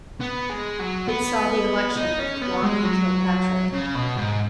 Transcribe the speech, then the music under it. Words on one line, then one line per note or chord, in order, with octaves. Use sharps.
It saw the election of Kwame Kilpatrick.
B3
G#3
F#3
B3
D#4
C#4
B3
G#3
F#3
C#3
B2
G#2